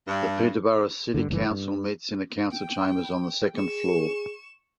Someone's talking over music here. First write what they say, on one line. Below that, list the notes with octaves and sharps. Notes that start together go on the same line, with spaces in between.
The Peterborough City Council meets in the Council Chambers on the second floor.
G2
G2 A#2 D3
F#1 G2 A#2 E3
G2
G5
G#4 C#6 E7